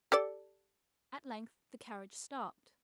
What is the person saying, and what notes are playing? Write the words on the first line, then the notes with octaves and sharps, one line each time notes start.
At length the carriage stopped.
G4 A4 D5